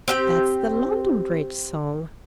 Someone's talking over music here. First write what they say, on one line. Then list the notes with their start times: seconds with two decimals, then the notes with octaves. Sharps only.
That's the London Bridge song.
0.08 C4 G4 G5